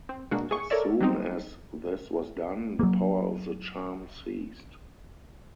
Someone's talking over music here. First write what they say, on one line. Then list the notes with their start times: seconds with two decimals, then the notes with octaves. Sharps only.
As soon as this was done, the power of the charm ceased.
0.09 C4
0.31 B2 G#3 A#3 D4 F#4
0.51 G#4 C#6
0.70 A4 A#4 C#5 D5 E5
1.00 F#3 G3 C4 D#4
2.79 F#3 A#3